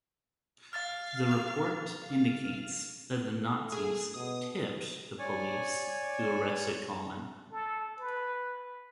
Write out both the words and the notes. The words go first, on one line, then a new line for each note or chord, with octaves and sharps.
The report indicates that the Nazis "tipped" the police who arrested Collin.
F5 F6 A6
F7
F5
A3
G#4
B2 D#6
C#5 D5 G#5
A4
B4